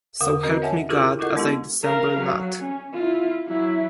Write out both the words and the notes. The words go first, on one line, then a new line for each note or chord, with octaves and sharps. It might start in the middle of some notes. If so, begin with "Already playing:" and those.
So help me God as I dissemble not.
E2 D3 A#4 F#5 D#6
C4 C#4 F#4 A#4 D#5
C#5 E5 F#5 G#5 A5
E4 F4 G4 G#4 A#4
E4 F4 A4 A#4 D#5 F#5
G#3 B3 D4 E4 G4
A#4 F5
F#3
C#4
E4 F4
F#3 E4